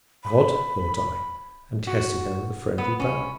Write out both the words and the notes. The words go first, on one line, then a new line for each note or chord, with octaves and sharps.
"Odd," thought I, and tested her with a friendly bow.
B5
F#4
B3
C#4